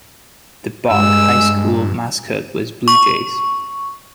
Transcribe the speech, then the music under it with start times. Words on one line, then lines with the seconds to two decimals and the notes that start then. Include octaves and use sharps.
The Bogue High School mascot was Bluejays.
0.90 G2 G#3 E6
2.88 C#6